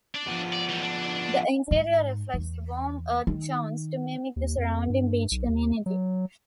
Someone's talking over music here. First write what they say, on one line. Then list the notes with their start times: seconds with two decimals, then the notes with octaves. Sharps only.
The interior reflects the warm earth tones to mimic the surrounding beach community.
0.15 D4 D5
0.28 F3 B3
0.53 D5
0.69 E3 G3
0.83 D4
1.71 G#2
2.34 E2
3.27 D#3
4.36 D#2
4.58 F2
4.90 G2
5.31 B1
5.49 D#2
5.86 F#3